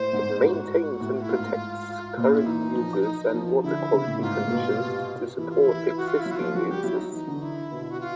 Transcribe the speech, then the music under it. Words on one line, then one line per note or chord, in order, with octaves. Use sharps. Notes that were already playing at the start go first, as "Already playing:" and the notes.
It maintains and protects current uses and water quality conditions to support existing uses.
Already playing: A2 C5
G#2
A2
G#2 F#4 G4
A2
E4
G#2 F4
A#2 F4
E4
E3 D#4
F3
F3
D3 E4
C#3
A2
G#2 F4
A#2
B2
C3
E3 E4
F4
E4
E3
F#4
F4
E4
F#3
F#4
F4
F3
F#3 F#4
G3 G4
F#3 E4
D#4
E3 D#4
D3
E4
B2
F#4
F4